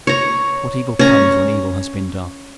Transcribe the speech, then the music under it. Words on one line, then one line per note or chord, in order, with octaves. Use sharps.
What evil comes when evil has been done.
C#5 A#5
C#4 A#5